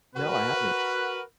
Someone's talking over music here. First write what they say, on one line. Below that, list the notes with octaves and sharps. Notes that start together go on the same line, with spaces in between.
No, I haven't.
F#4 A#4 B4